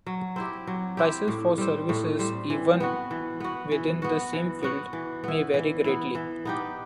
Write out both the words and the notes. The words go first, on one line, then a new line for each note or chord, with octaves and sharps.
Prices for services, even within the same field, may vary greatly.
F#3
C4 E4 G4
F#3
C4 E4 G4
A2
G3 C4
A2
G3 C4
E3
B3 F#4
E3
B3 F#4
E3
B3 F#4
E3
B3 F#4
E3
B3 E4
E3
B3 E4
E3
B3 D#4 G4